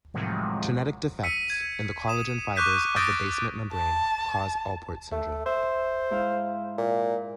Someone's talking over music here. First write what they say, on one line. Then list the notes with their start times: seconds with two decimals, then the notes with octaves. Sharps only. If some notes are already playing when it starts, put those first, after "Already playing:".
Genetic defects in the collagen fibers of the basement membrane cause Alport syndrome.
0.14 A2 C3 D#3 F3 F#3 G#3
1.23 E6 B6 C#7 D#7
1.50 G#6
2.08 D#6 E7
2.56 C#6 D6 F#6 G6 B6 D#7
2.96 D#6 F6 G6 A6 A#6 D7
3.73 A5
5.12 A3
5.46 C5 E5
6.10 G#2 E4 F5
6.78 A#2